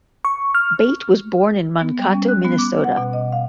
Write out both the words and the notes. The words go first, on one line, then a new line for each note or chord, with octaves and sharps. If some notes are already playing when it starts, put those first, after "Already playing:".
Bate was born in Mankato, Minnesota.
C#6
F6
B3
G3
C#4
F#6
B3
D6
F#5
B2
D#5
F5